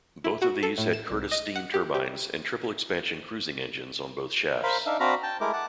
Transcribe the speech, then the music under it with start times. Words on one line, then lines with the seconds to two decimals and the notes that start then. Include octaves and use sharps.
Both of these had Curtis steam turbines and triple-expansion cruising engines on both shafts.
0.24 E4
0.42 F#4
0.63 A4
0.78 A2
0.93 E7
1.10 C2
1.31 D#5
1.56 F#5
1.74 G4
1.94 G4
4.63 A#4 C5 F5 B5
4.86 D4 D#4 E5 F5
5.00 C4 D4 F#4 F5 A#5 B5
5.23 G5 A5
5.41 G#3 A3 E4 A#4 D6
5.53 F#5 A5 D6